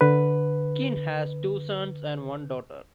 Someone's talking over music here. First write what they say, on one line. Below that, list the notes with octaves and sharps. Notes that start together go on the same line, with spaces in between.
Keen has two sons and one daughter.
D3 B4